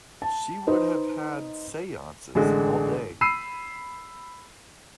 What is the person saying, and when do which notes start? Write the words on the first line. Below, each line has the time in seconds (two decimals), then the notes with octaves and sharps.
She would have had seances all day.
0.22 A5
0.67 D#4 B4 C5 D#5
2.35 A1 D3 G#3
3.21 B5 E6 C7 D#7